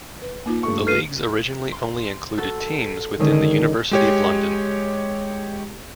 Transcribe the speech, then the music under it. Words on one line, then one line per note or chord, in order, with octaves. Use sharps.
The leagues originally only included teams within the University of London.
B4
A#3 D#4 F4
G2 A3 C#6
A4 B4 F6 C7 D#7
C6
F#4 A4
D3 D#3 G#3 C#4
G#3 G4 C#5